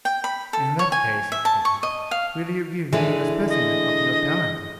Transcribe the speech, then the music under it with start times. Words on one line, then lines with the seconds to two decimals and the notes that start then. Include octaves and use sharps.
"In that case," said he, "will you give me a specimen of your talent?"
0.05 G5
0.24 B5
0.53 A4
0.79 C#5
0.92 G#5
1.32 E5
1.45 A5
1.65 C#6
1.83 D#5
2.11 F5
2.93 D3 E3 G#3
3.49 D#5